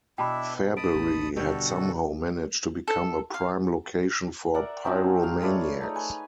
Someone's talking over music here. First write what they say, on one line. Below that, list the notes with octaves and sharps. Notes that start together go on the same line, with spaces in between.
Fairbury had somehow managed to become a prime location for pyromaniacs.
B2 D4 E4 E5 G5 A5 B5
A5 B5 D#6 D7
A1
B2 D3 G3 F#4 A4
A4
F5
A#4 D5 E5 F#5
F3 F#3 C4 D#4
G#3 F5
A3 B4 C#5 D5
A3 D#4
B4 G#5